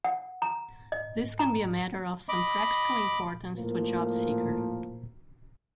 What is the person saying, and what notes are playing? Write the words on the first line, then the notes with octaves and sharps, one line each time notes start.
This can be a matter of some practical importance to a job-seeker.
F#5
A#5
D#5
A#5
D#5 B5 D6
A2 F3 A#3